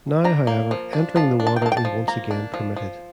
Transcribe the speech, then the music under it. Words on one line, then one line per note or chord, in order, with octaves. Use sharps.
Now, however, entering the water is once again permitted.
D4 A#5
A#3
F3
D4
F3 A5
D4
A5
G5
A#3 A5
G5
A5
F3
A#3 A#5
D4
F3
F3